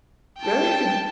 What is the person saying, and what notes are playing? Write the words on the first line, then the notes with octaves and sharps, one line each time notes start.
There you g
G5 A5